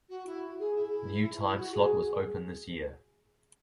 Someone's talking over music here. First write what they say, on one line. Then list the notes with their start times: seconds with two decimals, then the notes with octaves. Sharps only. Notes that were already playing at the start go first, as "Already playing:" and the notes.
New time slot was opened this year.
0.09 F#4
0.26 E4
0.59 G#4
0.75 E4
1.41 E4
1.57 F#4
1.73 G#4